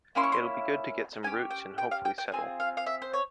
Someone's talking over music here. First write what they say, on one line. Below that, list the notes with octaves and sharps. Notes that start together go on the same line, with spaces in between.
It'll be good to get some roots and hopefully settle.
A#3 C#4 E4 C6
C#6
C6
C#4 G4 G#5
G5
G5
F5
G5
G5
C4 F4 G#4 G#5
F5
F5
E5
C5
C#5